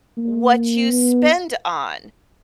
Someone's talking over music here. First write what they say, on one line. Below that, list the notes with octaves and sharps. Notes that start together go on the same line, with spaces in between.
what you spend on,
A#3
B3